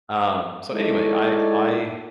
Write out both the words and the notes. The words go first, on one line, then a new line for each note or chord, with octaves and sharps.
Um, so anyway, I I
G#3 D#4 E4 A4 C#5 D5